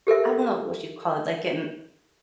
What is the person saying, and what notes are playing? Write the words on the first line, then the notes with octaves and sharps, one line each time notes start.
I don't know what you call it, like in
G4 A4 A#4 E5